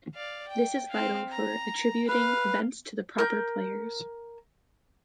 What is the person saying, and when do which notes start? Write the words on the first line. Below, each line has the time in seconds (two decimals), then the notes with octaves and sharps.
This is vital for attributing events to the proper players.
0.14 D5 F5
0.48 G5
0.91 C4 F5
1.31 A#5
2.08 B4 F5
3.18 A#4 G6